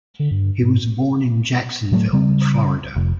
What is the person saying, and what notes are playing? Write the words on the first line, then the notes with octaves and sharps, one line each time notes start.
He was born in Jacksonville, Florida.
D3
G2
G#2
A2 F#3 G#3 A3
C#3 G3 C4
F1